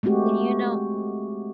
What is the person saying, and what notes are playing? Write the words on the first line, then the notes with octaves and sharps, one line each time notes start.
And, you know
G#3 A3 C4 F#4 G4